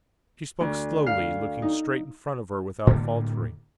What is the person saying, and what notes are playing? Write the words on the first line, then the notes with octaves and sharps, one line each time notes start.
She spoke slowly, looking straight in front of her without faltering.
D2
F5
D#4
A2 D3 G3 A#3